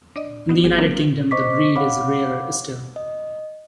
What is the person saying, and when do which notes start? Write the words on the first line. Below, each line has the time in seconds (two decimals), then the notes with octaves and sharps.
In the United Kingdom, the breed is rarer still.
0.16 D4 D5 D#5
0.49 B3 D#4 F#4
0.63 G1 F#3 G#4
0.78 F#3 A#3 C4 D4 E4 A#4
1.31 C5 D#5 C#6 D6 B6
1.76 C#5 F5 F#5 B5 D6
2.96 D#5